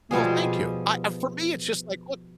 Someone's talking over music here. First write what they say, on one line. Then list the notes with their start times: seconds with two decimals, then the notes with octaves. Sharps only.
Well, thank you. I, uh, for me, it's just like, look
0.11 B2 F3 G3 G#4